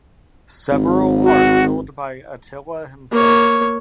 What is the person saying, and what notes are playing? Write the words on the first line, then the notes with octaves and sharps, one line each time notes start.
Several are killed by Attila himself.
G#1
F#4
A#3 C#5